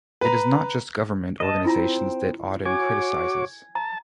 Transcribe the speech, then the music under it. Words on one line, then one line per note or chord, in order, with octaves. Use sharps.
It is not just government organizations that Auden criticizes.
B4 A#5
D#5 A5
C4 E4 F4 A#5
F#4 C#5 G#5 D6
A5 A#5